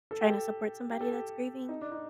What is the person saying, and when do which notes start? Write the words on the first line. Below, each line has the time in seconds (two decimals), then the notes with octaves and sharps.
trying to support somebody that's grieving?
0.11 A4
0.21 G4
0.30 A4
0.90 G4
1.01 A4
1.12 G4
1.69 D#4
1.81 D4
1.92 D#4